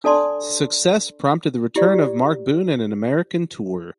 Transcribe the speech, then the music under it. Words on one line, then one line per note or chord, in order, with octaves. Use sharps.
This success prompted the return of Mark Boon and an American tour.
D4 A4 D5 A5 C6
E4 G4 D5